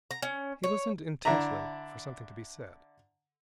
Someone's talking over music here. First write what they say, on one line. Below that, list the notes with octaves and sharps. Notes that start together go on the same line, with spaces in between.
He listened intently for something to be said.
A#5
C#4
C#5
D3 D4 E4 E5 A#5